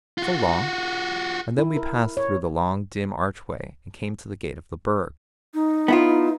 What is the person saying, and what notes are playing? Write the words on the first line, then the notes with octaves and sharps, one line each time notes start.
So long!' And then we passed through the long, dim archway and came to the gate of the Burg.
F4 F#4
E4
A#4
C#5
D#4
B3 E4 F4